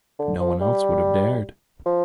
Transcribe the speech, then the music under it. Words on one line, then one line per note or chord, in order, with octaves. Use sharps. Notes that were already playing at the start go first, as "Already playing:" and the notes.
No one else would have dared.
D3
F3
G3
F3